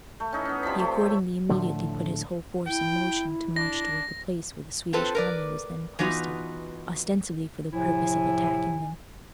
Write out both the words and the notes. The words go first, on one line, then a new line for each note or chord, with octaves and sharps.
He accordingly immediately put his whole force in motion to march toward the place where the Swedish army was then posted, ostensibly for the purpose of attacking them.
A3
C#4 D#4 E4
B3 C#4
C3 F3 D5 B5
F3 A3
C#5 E5
A2 D3 F3 A3
E4 G5
D4 A#6
C4 F4 A4 B4 C5
A#4 B4 D5
E3 B3 D#4 F4 F#4
A2 C3 F3 E4 G#5